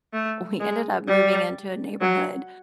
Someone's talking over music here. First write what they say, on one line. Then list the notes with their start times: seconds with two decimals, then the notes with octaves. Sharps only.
uh, we ended up moving into a neighborhood,
0.13 A3
0.60 G#3
1.08 G3
2.01 F#3